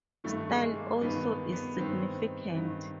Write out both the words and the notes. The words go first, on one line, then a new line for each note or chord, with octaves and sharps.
Style also is significant.
G2 D#3 A3
G#3
A#3
G2 D#3 B3
B3
G2 D#3 C4
G2 D#3